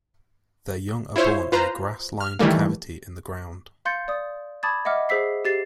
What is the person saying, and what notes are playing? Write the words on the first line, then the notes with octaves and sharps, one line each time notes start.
Their young are born in a grass-lined cavity in the ground.
E4 F4 C5 C#5
F4 B4 C5 A#5
F6
D#3 E3 G3 A3 A#3
F5 C6 G6 A6 C#7
D5 D#6
A5 B5 D6 D#6 G#6 A6
D#5 E5 F#5 D6 F6
G#4 C5 E6 B6 C7
G4 A6 C7